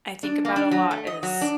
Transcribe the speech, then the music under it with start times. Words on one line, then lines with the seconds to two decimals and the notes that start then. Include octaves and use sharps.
I think about a lot is,
0.23 D4
0.45 A#3
0.56 D4
0.71 F#3
0.91 A3
1.07 D#5
1.23 F#3
1.41 D4